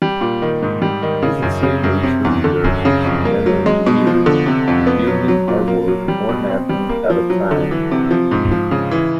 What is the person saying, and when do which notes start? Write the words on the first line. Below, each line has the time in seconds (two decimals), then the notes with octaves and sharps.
His essay Nature versus Nanoengineering: Rebuilding our world one atom at a time.
0.02 G3
0.21 A#2
0.42 D#3
0.62 G#2
0.82 G3
1.02 D#3
1.22 C#3
1.42 F#2
1.63 C#3
1.84 F#2
2.03 C3
2.25 E2
2.44 D3
2.64 F#2
2.85 C#3
3.05 F2
3.25 A#3
3.46 F#3
3.66 G#3
3.86 B2
4.07 F3
4.26 D3
4.46 C3
4.67 F2
4.87 B3
5.07 F#3
5.28 F#3
5.48 A#2
5.68 A#3
5.88 F#3
6.08 G3
6.29 B2
6.50 C4
6.69 G3
6.89 A#3
7.10 F3
7.30 F#3
7.51 D3
7.71 E3
7.91 C3
8.11 F3
8.31 G#2
8.51 F3
8.71 C#3
8.91 E3